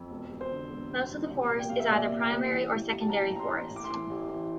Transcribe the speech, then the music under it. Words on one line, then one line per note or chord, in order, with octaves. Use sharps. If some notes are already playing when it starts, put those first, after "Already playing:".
Most of the forest is either primary or secondary forest.
Already playing: F2
E1
E1
C5
D3
E1
E1
E1
C2
A#2
G5
C2 F5
E5
A#2 D5
A#2
G5
C2
E3
A1
A1
A5
A1 A#5
A2
A#5
C6
A1
A2
D6
C6
E3 D6
A1
E3